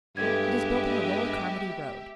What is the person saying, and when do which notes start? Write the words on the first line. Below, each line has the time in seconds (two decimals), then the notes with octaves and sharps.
It is built on the lower Carmody road.
0.17 G2 G#3 B3 G4 A4 E5 G#6